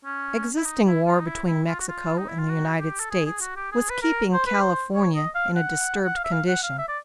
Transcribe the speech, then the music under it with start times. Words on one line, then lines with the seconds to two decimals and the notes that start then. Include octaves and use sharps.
Existing war between Mexico and the United States was keeping California in a disturbed condition.
0.05 C#4
0.57 E4
0.65 D#4
0.86 E4
1.06 F4
1.20 D#4
1.27 E4
1.48 E4
1.67 F4
1.80 F#4
1.89 F4
2.18 D#4
2.29 E4
2.39 F4
2.49 F#4
2.80 G4
3.00 A4
3.10 G#4
3.26 G#4
3.41 F#4
3.56 G4
3.72 G#4
3.90 B4
4.02 A#4
4.33 C5
4.47 B4
4.61 C5
4.95 C#5
5.15 D#5
5.35 F5
5.56 F#5
6.05 F#5
6.17 F5
6.25 E5
6.32 F5
6.48 F#5
6.63 F5
6.78 E5
6.88 D5